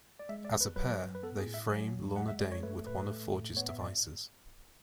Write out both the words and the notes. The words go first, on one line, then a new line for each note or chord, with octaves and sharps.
As a pair, they frame Lorna Dane with one of Forge's devices.
D5
G#3 E5
D5
E2
B4
F#3 B4
F#2
B4
B3 A4
G#4
A2
E5
F#3 G#5
E2
G#3 F#5
E5
F#2 D5
C#5
A3 B4
A2 B4
A3
A2
B3 C#5
E5
G#2 D5